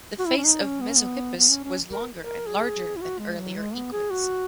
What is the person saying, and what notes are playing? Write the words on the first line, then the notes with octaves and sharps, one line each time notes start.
The face of "Mesohippus" was longer and larger than earlier equids.
F#4
E4
C#4
D#4
C#4
B3
C#4
B3
B3
C#4
C#4
A#4
A#4
G#4
E4
F#4
G#3
F#3
G#3
B3
G#4
F#4